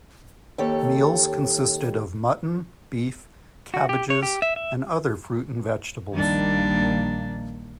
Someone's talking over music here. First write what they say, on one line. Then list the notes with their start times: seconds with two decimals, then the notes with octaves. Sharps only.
Meals consisted of mutton, beef, cabbages, and other fruit and vegetables.
0.58 D#2 G4 A4 C#5
3.74 F#4
3.89 G4
4.10 C#5
4.23 G4
4.42 E5
4.56 E5
6.13 A#1 D#3 G3 A#3 D4